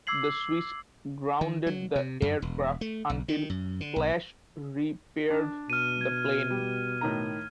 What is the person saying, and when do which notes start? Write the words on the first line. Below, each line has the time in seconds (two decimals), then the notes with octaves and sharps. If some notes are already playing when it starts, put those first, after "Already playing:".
The Swiss grounded the aircraft until Flash repaired the plane.
0.07 D6 E6 G#6 C7 F#7
1.41 D#3
1.66 F#3
1.96 C3
2.22 F#2
2.42 E1
2.81 A3
3.10 B1
3.28 D#3
3.50 F#2
3.81 D3
3.96 B1
5.30 D4
5.70 B2 F6 D#7
6.01 G#6
6.50 G3
7.01 A2 D#3 A#5